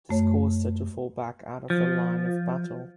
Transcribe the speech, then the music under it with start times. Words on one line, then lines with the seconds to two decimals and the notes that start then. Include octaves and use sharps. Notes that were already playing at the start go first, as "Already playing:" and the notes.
This caused her to fall back out of the line of battle.
0.09 F#2 A3 C#5
1.70 F3